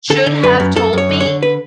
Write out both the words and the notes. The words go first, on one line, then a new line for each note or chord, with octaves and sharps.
should have told me?"
D3 A4
D3
F#2 B4
F#2
F#2 A4
F#2 C#5
D3
C#5
D3
B4